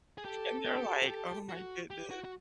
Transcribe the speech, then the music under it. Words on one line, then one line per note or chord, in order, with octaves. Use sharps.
And they're like, "Oh my goodness,"
G#4
G4 A4
G4
F#4
G4
F#4
G4
F#4
F#4